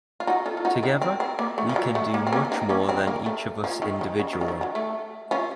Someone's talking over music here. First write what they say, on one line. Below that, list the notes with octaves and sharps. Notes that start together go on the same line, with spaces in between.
Together, we can do much more than each of us individually.
F4
D#4 F#4
F4 A4
F4
D#4 F#4
C4 D#4
C4
C4
A#3
A3
F3
F#3
A3
A#3
C4
A#3 C#4
C4 D#4
A#3 C#4
C4
A#3
A3
F3
D#3
D#3
C#3
D#3
C#3
D#3
F#3
A3
C#4 F4